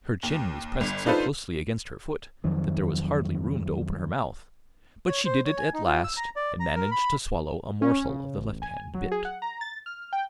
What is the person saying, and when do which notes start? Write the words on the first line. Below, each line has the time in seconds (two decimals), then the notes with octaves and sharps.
Her chin was pressed so closely against her foot, that there was hardly room to open her mouth; but she did it at last, and managed to swallow a morsel of the lefthand bit.
0.23 D#2
0.81 G1
1.06 D4 D#4 F4 A4 B4 C5
2.44 F2 D#3 F3 F#3
5.07 C#5
5.26 C5
5.45 C#5
5.58 G#5
5.74 D#4
5.86 F4
6.04 E6
6.17 A#5
6.36 D5
6.60 A#5
6.75 A#4
6.91 B5
7.82 C#4
8.09 C#3
8.37 A1
8.62 G#5
8.94 F#3
9.12 G#4
9.25 F#5
9.42 A#5
9.61 A6
9.86 F6
10.13 G5